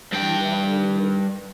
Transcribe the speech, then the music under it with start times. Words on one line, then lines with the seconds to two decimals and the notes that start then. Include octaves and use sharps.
She was very good.
0.12 G2 G5